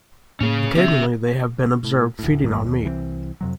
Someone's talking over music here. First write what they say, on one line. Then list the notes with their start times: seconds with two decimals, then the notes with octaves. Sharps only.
Occasionally they have been observed feeding on meat.
0.40 A2 A#3 C#4 G#4
0.75 D3 B3 C#4 G4 E5
1.85 A2
2.19 D2 A2
2.44 G#1 E2 G2 A#3
2.66 D#2
2.84 C2 E3 F#3 C4
3.41 F2 C3 F#3